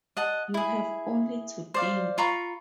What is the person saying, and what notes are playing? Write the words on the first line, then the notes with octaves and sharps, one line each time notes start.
You have only to think!
D#5 F#5 A5
E4 G#4
C5 D5 F5
F4 A#5 B5 C#6